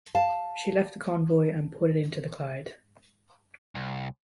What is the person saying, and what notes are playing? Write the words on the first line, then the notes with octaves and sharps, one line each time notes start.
She left the convoy and put in to the Clyde.
F5 A5
C2